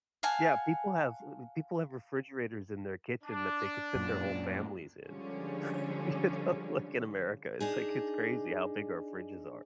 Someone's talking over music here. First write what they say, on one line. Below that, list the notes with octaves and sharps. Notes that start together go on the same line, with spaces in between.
Yeah, people have uh uh, people have refrigerators in their kitchen that they could fit their whole families in, you know, like, in America, it's, like, it's crazy how big our fridges are.
F5 F#5 G#5 A5
D4
F#2 A#2
D3 F3 G3 G#3 C#4
D4 D#4 G#4